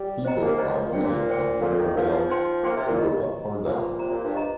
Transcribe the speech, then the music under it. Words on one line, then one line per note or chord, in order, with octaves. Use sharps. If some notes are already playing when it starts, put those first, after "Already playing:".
People are using conveyor belts to go up or down.
Already playing: G3
C5 D#5 G5 A#5
A#3
G3 C5 D#5 G5 A#5
F3
A#2
G2 D#4 C5 G5
A#2
D#4 C5 G5
A#2 D#4 A#4 F5
D#3
F3 D#4 A#4 F5
D#4 C5 G5 C6
A#3 D#4 C5 G5 C6
C3
A#2
D#4 G4 D#5 A#5
D#4 G4 D#5 A#5
A#2 F4 C5 G5 A#5
C3 F4 C5 G5 A#5
A#2
G2
G4 D#5 A#5